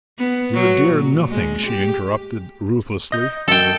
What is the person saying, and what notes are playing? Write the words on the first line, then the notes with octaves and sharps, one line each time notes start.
"Your dear nothing!" she interrupted ruthlessly.
B3
F#3
A#2
G#3
G4
D#5 G6
F#2 A4 G5